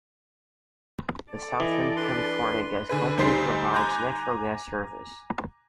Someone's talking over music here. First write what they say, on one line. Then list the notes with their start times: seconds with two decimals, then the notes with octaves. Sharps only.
The Southern California Gas Company provides natural gas service.
1.32 A4 D5
1.60 E3 D#5
1.96 D4 B4 C6
2.89 D3 G#4 B4
3.18 D2 G3 D#4 C5 B6 C7
3.74 G#5 A#5 D6 F#6 G6